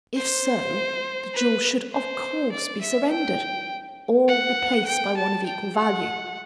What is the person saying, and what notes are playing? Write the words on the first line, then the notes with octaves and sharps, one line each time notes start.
If so, the jewel should, of course, be surrendered,--or replaced by one of equal value.
C5
B4
C5
D5
E5
G5
F#5
G5
A5
G5
F#5